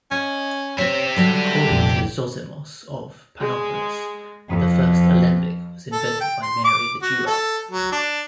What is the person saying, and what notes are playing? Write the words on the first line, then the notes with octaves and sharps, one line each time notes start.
According to Zosimos of Panopolis, the first alembic was invented by Mary the Jewess.
C#4 D#5
C4 G4 C#5 E5
D3 F#3 G3 B4
F1 A#1
G#3
F2
A4
G5
C6
D6
F#4
A4
F#3
D4